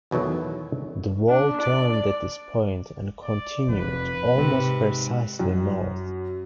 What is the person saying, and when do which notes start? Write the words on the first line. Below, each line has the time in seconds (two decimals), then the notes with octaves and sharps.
The wall turned at this point and continued almost precisely north.
0.11 E2 B2 D#3 F#3 A3
1.29 D4
1.61 D5
3.23 D5
3.68 F1 F2 B4
4.35 G#2 C3
5.40 F#2